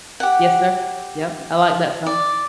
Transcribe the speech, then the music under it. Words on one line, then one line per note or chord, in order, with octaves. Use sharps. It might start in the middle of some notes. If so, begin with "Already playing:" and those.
Yes, sir, yep, I like that song.
G4 F#5
D5